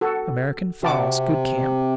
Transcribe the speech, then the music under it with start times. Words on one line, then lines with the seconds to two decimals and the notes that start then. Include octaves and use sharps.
American Falls.--Good camp.
0.01 F#4 A4
0.83 C3 F#4 A5 D6